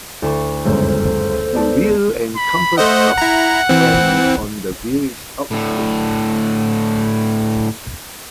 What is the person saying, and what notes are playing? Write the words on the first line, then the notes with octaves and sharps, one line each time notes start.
The Wheel and Compass pub stands on the village's outskirts.
D2 E4 A4 C#6
G1 C#2 F#2 A4 C5
B3 D5 A5
B5
A3 C5 D#5 F#5
E4 A#5
E3 C4
A2 D3